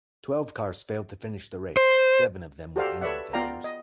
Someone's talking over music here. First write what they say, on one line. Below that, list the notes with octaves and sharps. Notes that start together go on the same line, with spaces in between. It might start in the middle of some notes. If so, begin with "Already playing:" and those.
Twelve cars failed to finish the race, seven of them with engine failures.
C5
F#4 G4 A4 C5 D5 F5
A4 B4 C#5 D5 E5 F#5
B3 F4 D5 F5 G5 A#5
D#5